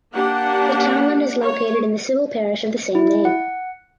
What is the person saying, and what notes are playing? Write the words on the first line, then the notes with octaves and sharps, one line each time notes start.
The townland is located in the civil parish of the same name.
A#3 D4 G4 F#5
C#5
E4
F#5